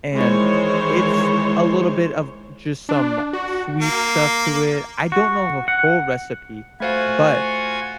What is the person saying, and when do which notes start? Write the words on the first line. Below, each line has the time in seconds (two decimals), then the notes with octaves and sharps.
and it's a little bit of just some sweet stuff to it. I don't know of a full recipe, but
0.14 D#3 E3 G#3 C5 C#5
2.89 D4
3.33 F#4
3.82 A#3
5.12 F#4
5.68 F#5
6.80 A3 F4 F#4 C5 F5 G#5